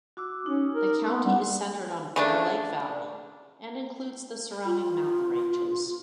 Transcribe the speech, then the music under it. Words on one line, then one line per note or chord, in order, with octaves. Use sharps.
The county is centered on Bear Lake Valley and includes the surrounding mountain ranges.
F#4 D6 E6
C#4 D#4
A#4
A#3 B3 C6
G3 F#5
C#3 A3 D4
F4